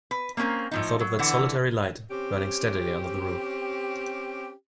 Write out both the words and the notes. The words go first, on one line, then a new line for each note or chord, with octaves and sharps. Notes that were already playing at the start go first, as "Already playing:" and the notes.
I thought of that solitary light burning steadily under the roof.
B4
A#3 C4 C#4 A#4
A2 F3 D#4
F#3
D3 E3 F#5
C4 C#4 G4